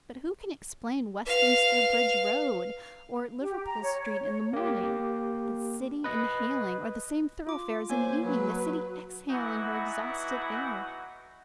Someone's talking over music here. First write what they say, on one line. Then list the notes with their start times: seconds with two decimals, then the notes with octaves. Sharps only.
But who can explain Westminster Bridge Road or Liverpool Street in the morning--the city inhaling--or the same thoroughfares in the evening--the city exhaling her exhausted air?
1.27 B4 F5
3.41 G4
3.65 A#5
3.82 C#5
4.02 C#5
4.25 C#5
4.53 A#3 G4
6.04 B4 D#5
7.47 F4 D6
7.90 A#3 C5 C#5 G#5
8.21 F#3 B4
9.30 E3 F#3 B3 D#4 E4 F#4